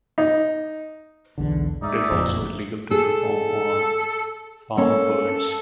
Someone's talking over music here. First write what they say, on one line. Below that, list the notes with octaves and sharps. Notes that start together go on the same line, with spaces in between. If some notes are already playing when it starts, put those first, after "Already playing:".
It is also illegal to perform on farmed birds.
D#4
B1 E2 D3
G#2 D#4 D5 E5
F#1 F2 A#2
G#4 A4
A#3 C#4 A4